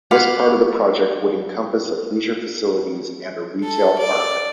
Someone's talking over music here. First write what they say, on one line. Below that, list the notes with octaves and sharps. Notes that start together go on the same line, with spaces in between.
This part of the project would encompass of leisure facilities and a retail park.
B4 F5 F#5 D6
A4
D5